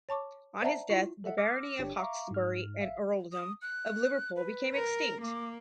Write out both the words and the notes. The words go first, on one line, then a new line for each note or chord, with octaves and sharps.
On his death the Barony of Hawkesbury and Earldom of Liverpool became extinct.
C#5 A5 C#6 D6
C5 D5 E5 F#5 A5 A#5
E4 F4
A4 D#5 E5 F#5
D6 E6 F6 A#6
G1 D4 G4 C#5 G5
E5 F5 A#5 C#6 D6
G#2 F6
A1 E5 F5
D#6
F#6
B4
A#4
A#3 D6